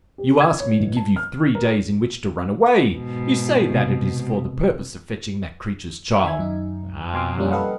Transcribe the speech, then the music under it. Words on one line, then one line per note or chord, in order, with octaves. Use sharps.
You ask me to give you three days in which to run away! You say that it is for the purpose of fetching that creature's child! Ah!
G4
G#6
C#5
A1
A5
F6
A#4
G#2 B2
C3
D#3 E5 G#5 G#6
F#2 D#4
B2 G#5 C6 D6 F6
C#3 F3 G3 A#3 C#4 D4
G4 A4 B4 D#5 F5 F#5